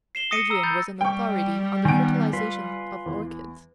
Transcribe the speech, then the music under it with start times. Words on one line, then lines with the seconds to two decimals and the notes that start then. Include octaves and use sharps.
Adrian was an authority on the fertilization of orchids.
0.15 C7 E7 G7
0.31 D#6 A#6 C#7 D#7
0.50 A#5 E6
0.63 B5 E6 G6 A6
1.01 G3 G5 C#6
1.85 D#3 B3 G#5 D7
2.33 F4 B4
3.06 E2